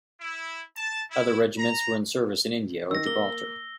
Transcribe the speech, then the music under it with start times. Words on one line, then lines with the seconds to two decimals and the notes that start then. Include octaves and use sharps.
Other regiments were in service in India or Gibraltar.
0.20 E4
0.76 A5
1.11 E4
1.58 A#5
2.91 D#3 E6 A#6
3.06 A#3 G7